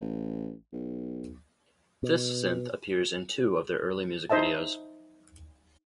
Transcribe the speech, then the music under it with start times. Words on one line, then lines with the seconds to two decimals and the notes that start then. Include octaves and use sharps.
This synth appears in two of their early music videos.
0.01 A1
0.73 B1
2.03 B2
4.30 D#4 C5 D#5 E5 A5